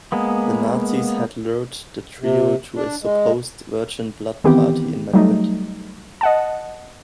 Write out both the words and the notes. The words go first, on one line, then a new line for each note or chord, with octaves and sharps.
The Nazis had lured the trio to a supposed virgin-blood party in Madrid.
G#3 A#3 B3
C3
D4
G#3
D#3 E3 B3 C4 G4
F#3 G3 A3 D#4
D#5 F#5 A5